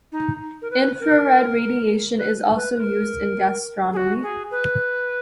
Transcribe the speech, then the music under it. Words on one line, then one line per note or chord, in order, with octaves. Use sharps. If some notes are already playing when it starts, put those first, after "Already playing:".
Infrared radiation is also used in gastronomy.
D#4
A#4
B4
A#4
B4
B4
B4
A#4
G#4
F#4
G#4
B4